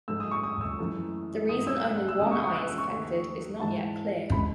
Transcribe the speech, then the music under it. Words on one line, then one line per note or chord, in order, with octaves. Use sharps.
The reason only one eye is affected is not yet clear.
G#2 F#3 A3 E6
D#6
C#6
D#6
E6
F#2 E3 A3
G#2 F#3 A3 D#6
E6
F#6
F#6
E6
E2 C#3 G#3 D#6
C#6
D#6
C#6
F#6
E6
C#6
D#2 D#3 A3
G#2 E3 G#3 A5
C#3 G#3 B5